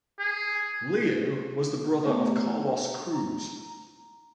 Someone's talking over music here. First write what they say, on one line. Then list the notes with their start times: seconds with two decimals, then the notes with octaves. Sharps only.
Leo was the brother of Carlos Cruz.
0.19 G#4
2.04 A3 B3 C5
2.26 G4 A#5